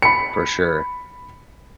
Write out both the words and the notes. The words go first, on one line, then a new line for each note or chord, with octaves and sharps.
For sure.
B5 C#7